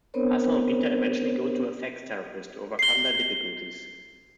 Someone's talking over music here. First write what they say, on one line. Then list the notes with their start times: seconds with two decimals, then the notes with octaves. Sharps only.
Hazel and Peter eventually go to a sex therapist to overcome their difficulties.
0.14 B3 C4 D4 A#4 C5 C#5
2.79 C7 G7